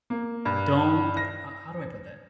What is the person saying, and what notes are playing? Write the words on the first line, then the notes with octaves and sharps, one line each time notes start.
don't" how how do I put that?
A#3
G2
A#6